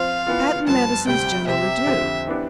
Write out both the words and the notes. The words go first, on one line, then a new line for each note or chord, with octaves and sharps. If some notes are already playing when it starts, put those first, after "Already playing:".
Patent medicines generally do.
Already playing: F3 C4 F4 C5 F5
E3 B3 F4
G2 F3 B3 F4 A5
D2 C3 G3 C4 G5
C3 G3 C4 G4 E5
F2 D3 F3 C4 G4
E3 B3 D4 G4